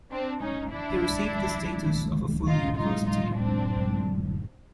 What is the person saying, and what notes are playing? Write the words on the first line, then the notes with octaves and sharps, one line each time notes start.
He received the status of a full university.
C4 D4
C#4 D#4
D4 E4
D#4 F4
D#4 F4
D#4 F4
C4 D4